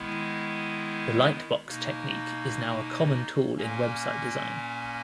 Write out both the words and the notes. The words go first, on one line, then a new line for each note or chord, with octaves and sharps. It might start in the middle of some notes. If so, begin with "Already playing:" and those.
The Lightbox technique is now a common tool in website design.
Already playing: D#3 G#3 B3 E4
B2 A#3 D#4
A#2 A#3 C#4